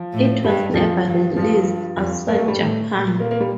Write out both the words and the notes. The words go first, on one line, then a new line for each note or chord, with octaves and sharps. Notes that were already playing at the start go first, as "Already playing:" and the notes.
It was never released outside Japan.
Already playing: F3
A2
G2 G3
F2 F3
G2
G2 F3
F2
G2 A#3
A3
G3
A2 A3
A#2
A#3
A#3
G3